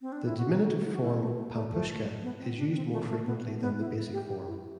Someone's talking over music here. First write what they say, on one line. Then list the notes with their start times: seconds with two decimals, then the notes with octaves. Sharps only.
The diminutive form "pampushka" is used more frequently than the basic form.
0.00 C4
0.12 D4
0.25 E4
0.37 F#4
0.50 G4
0.68 F#4
0.84 E4
0.94 F#4
1.02 E4
1.10 C4
1.20 A3
1.36 A3
1.54 A3
1.70 A3
2.23 B3
2.40 C4
2.57 D4
2.75 C4
2.92 A3
3.08 A3
3.26 B3
3.44 A3
3.61 B3
3.79 E4
3.95 E4
4.13 G4
4.29 G4
4.47 E4